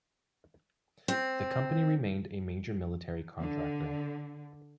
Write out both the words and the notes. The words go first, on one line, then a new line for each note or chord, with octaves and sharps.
The company remained a major military contractor.
C4
D3